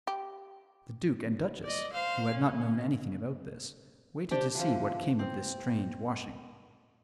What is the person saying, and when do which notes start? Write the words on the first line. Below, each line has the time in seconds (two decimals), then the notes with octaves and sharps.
The duke and duchess, who had not known anything about this, waited to see what came of this strange washing.
0.07 G4
1.64 D5 D#5
1.93 C5 F5
2.32 C#4
4.31 D4 G4 C5 D5
4.55 D3 E3 F3
5.19 C4